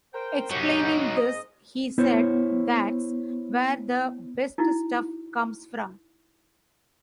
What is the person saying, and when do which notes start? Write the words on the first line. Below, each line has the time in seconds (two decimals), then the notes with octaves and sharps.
Explaining this, he said, that's where the best stuff comes from.
0.14 A#4 C5 G5
0.51 F#2 F#3 D#4 G4
1.17 G#2 D#5
1.98 B3 E4 C5 C#5
4.58 D#4 E4 F#4